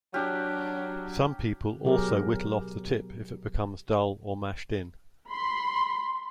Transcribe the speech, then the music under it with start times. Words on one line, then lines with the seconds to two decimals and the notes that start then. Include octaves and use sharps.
Some people also whittle off the tip if it becomes dull, or mashed in.
0.14 F#3 D4 G4 F6 F#6
1.84 B2 F#3 G4 G#4 A#4
5.30 B5 C6